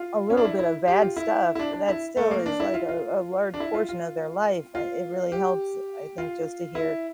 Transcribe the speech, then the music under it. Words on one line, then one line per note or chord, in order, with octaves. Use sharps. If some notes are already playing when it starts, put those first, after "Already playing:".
a little bit of bad stuff that still is like a a large portion of their life. I it really helps, I think just to hear
Already playing: F4
C#4
D4
E4
E4
G4
F4
E4
E4
D4
D4
E4
A3
A#3
D4
E4
F4
F4
D4
E4
F4
F4
F4
G4
F4
E4